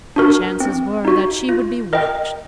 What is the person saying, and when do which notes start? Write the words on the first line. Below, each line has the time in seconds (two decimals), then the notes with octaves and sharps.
The chances were that she would be watched.
0.16 D4 F#4 A#4
0.60 C4
1.05 D#4 F#4
1.49 F4
1.93 A#4 D#5 G5